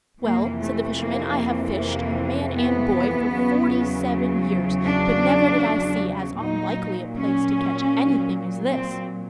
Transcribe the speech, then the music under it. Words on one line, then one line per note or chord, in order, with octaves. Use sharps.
"Well," said the fisherman, "I have fished, man and boy, for forty-seven years, but never did I see as unlikely a place to catch anything as this."
F2 C3 E3 A#3
A3
A#3
A#3
B3
E2 C#3 F#3
D4
A#2 F#3 D#4
C#4
C4